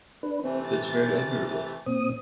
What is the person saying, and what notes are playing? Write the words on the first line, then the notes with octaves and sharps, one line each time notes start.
That's very admirable.
D4 B4
C3 E3 A3 C4
A6
A#2 C4 D#6